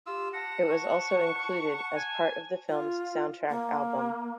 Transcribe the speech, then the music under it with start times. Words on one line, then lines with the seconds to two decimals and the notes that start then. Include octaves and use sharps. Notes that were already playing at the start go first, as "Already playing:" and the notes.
It was also included as part of the film's soundtrack album.
0.06 F4 G4 E6
0.33 F#5 A5 A#6
0.69 C#6
1.95 G#5 A5
2.69 F4
3.50 A#3